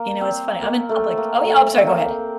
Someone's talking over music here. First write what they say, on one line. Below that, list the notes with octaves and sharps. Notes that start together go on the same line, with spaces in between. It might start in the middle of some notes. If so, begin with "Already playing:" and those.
You know, it's funny, I'm in public oh, yeah, I'm sorry, go ahead.
Already playing: A#3
C4
A#3
A3
A#3
A3
C4
A#3